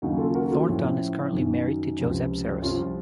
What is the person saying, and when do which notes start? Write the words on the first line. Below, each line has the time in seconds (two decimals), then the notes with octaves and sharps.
Thornton is currently married to Josep Seras.
0.02 D#2 C#3 F#3 D#4 F#4
0.18 F4 A4
0.35 F#4 A#4
0.51 F4 A4
0.67 A2 F3 C#4
1.32 F#2 D#3 F#3
1.97 C#2 C3 F3
2.62 C2 C3 F3 C#4 F4